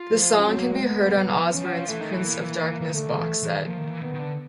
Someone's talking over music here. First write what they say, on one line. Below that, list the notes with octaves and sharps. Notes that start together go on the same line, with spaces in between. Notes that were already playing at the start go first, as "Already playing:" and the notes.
The song can be heard on Osbourne's "Prince of Darkness" box set.
Already playing: F4
F3
C#4
F#3 C4
A#3
G#3
B3
G3
F3
E3 C#4
F3
F#3
F3
E3 A3
D#3
E3
A#3
A#3
E3
D#3
D3 A3
D#3
E3
E3
D#3
F3 A#3
D#3
E3
D#3 B3
D#3
D3